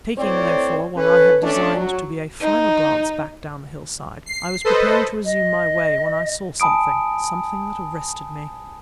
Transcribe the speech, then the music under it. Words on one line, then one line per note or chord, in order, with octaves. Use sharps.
Taking, therefore, what I had designed to be a final glance back down the hillside, I was preparing to resume my way when I saw something--something that arrested me.
A2 C4 C#5 D5
C#4 A4 B4
A3 C#4 D4
F#3
D#4
C7
A4 B4 C5 D#5
D#5
G#5 A5 B5 D#6 D7